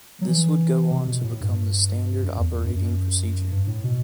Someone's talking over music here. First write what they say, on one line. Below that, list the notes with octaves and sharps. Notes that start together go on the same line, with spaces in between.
This would go on to become the standard operating procedure.
F#3
E3
C3
B2
A2
G2
F#2
E2
E2
F#2
F#2
G2
A2
B2